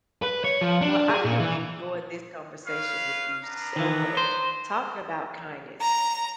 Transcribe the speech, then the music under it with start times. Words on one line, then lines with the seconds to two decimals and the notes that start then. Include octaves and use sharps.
Well, I have enjoyed this conversation with you so much, talking about kindness.
0.22 B4
0.44 C#5
0.61 F3
0.81 D4
1.10 G#4
1.25 A#2
1.40 E3
2.66 B4 C#5 F5
3.44 B3 D4 A#5
3.76 D#3 E3
4.17 C5
5.80 A#5